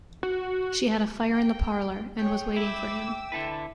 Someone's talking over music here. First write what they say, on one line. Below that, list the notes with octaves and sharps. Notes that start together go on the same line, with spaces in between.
She had a fire in the parlour, and was waiting for him.
F#4
G5
G#4 C#5 G5
E4 E5 D6 E6
D3 E4 A4 B4